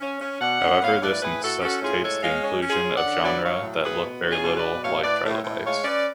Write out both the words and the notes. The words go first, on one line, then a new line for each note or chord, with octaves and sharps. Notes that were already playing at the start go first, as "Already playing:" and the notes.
However this necessitates the inclusion of genera that look very little like trilobites.
C#4
C#4
B2 D5 F#5
C#4
B3 C#5 F5
A2 B4 D5
A2 G#4 B4
A2 F#4 A4
C#4 F#4 A4
A2 F4 G#4
G#3 A4 C#5
G#3 C#5 F5
C#4
C#4
F4 G#4
C#4
D5 F#5
D3
F#3 B4 D5
F#3 C#5 F5
A2
B3 G#4 B4
B2
C#4
F4 G#4
B2
B4 D5
B2
A2 C#5 F5
A2 B4 D5
A2
A2
G#3 C#5 F5
C#4 B4 D5